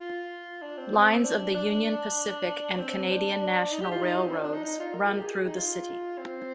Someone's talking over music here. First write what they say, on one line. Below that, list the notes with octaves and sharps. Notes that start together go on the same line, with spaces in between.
Lines of the Union Pacific and Canadian National railroads run through the city.
F4
D4
C4
C4
D4
D4
C4
D4
D#4
G4
F4
D#4
C4
D4
D4
D#4
D#4
F4
A#4
G#4
G4
G#4
D#4
F4
C4